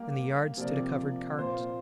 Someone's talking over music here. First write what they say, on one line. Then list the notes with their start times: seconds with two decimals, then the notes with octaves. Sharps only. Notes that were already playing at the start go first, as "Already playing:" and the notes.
In the yard stood a covered cart.
Already playing: G3 A#3 G4
0.57 C3 F3 A#3 G4 D5
1.37 A#2 A#3 F4 C5